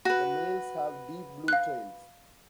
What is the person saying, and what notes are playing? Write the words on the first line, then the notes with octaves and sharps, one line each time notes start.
The males have deep blue tails.
F#4 B4
F5 F#6